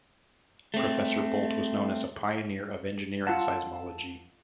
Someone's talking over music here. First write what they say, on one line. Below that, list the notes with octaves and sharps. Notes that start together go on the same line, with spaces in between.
Professor Bolt was known as pioneer of engineering seismology.
A3 C4
F4 F#5 A5 E6